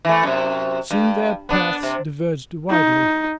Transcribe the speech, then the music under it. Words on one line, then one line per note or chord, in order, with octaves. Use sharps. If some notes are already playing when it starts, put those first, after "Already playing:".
Soon their paths diverged widely.
E3 A3
F#2 C3
G2
B3 D4
C3
D#4